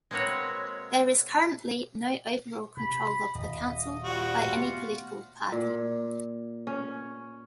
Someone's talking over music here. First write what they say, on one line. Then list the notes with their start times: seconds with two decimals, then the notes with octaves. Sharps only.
There is currently no overall control of the council by any political party.
0.11 G#3 A#3 C4 F#4 B4 C#5
2.77 C3 B5
3.35 D#1 D#5
4.04 F3 G3 F#4
4.45 A3 B3 F4
5.52 A#2
6.67 C#4